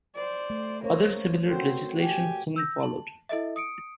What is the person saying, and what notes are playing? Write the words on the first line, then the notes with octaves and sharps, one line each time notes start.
Other similar legislation soon followed.
C5 D5
A3
A#3 C#4 A#4 C5 C#5
C4 F#4 A4 A#4 C5
G4 G#5
E6 G6 A#6
A5 F#7
E4 A4 D#5 E5
D#6 C#7 D7